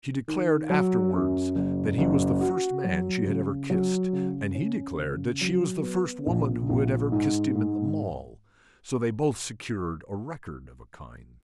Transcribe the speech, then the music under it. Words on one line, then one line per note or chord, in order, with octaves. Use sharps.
She declared afterwards that he was the first man she had ever kissed, and he declared that she was the first woman who had ever kissed him in the Mall, so they both secured a record of a kind.
D#3
F#3
F#2
F#1
F#1
F#4
F#3
C#3
F#3
C#3
C#4
C#3
F#3
B3
A#1
A#1
G#2
G#2